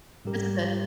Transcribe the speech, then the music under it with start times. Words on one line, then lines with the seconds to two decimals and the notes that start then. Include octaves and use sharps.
that's good.
0.25 G#2 G3 C#4 G4 A#4